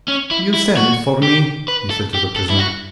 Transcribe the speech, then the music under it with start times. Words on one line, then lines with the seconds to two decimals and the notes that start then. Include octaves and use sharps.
"You sent for me?" he said to the prisoner.
0.08 C#4
0.31 E4
0.54 E4
0.77 F#4
1.23 G4
1.68 B4
1.90 A4
2.14 G4
2.36 A4
2.50 E4
2.59 F#4